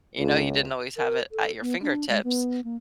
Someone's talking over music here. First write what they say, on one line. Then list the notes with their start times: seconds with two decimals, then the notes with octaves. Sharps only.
you know, you didn't always have it at your fingertips.
0.18 C#2
0.97 A#4
1.32 A4
1.61 B3
1.82 D4
2.09 G#3
2.24 B3
2.64 A#3